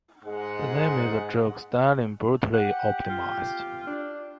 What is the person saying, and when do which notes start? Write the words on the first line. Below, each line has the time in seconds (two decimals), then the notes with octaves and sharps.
The name is a joke: Stalin brutally optimizes.
0.24 G#2 G#3 F#5
2.54 G4 F#5
3.10 F4
3.87 D4